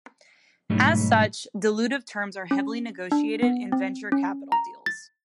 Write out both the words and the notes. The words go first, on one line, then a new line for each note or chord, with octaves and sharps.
As such, dilutive terms are heavily negotiated in venture capital deals.
B1 G#2 F#3 G3 A3 D#4
C#4
D4
B3
C4
C#4
A#5
A6